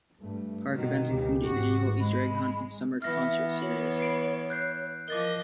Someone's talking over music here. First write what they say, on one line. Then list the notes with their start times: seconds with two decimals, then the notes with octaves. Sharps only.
Park events include an annual Easter egg hunt and a summer concert series.
0.21 G2 A3
0.75 B2 D#3 F#4
1.09 C#2 C#3 G4
1.43 G#1 G#2 F#4
2.01 G#3 B5
3.02 E3 B3 E5 F6 A#6
3.62 C#5 F#7
4.00 C7 D7
4.50 F#6 G6 C7
5.08 F3 A#4 D#5 D6 A6 G7